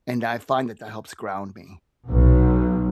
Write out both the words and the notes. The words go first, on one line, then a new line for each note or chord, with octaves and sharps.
And I find that that helps ground me.
B1